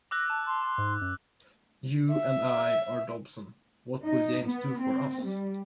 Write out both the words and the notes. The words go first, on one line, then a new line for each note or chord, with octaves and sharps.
You and I are Dobson; what will James do for us?
D6 E6 F#6 A#6
A5
C6
G#2
F#2
E5
D#4
B3
C4
G3